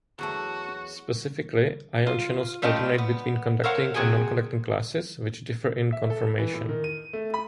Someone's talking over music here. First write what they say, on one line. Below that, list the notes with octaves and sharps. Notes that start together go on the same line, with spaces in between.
Specifically, ion channels alternate between conducting and non-conducting classes, which differ in conformation.
E2 F#3 A3 F#4
F4
G3 A3 C#4 F4 G4 D#5
B3
A4 A#4 C5 C#5 F5 F#5
C3 F#4 G#4 G5 G#5
E5
A4
E3
A2
D#3
D#7
A3
B5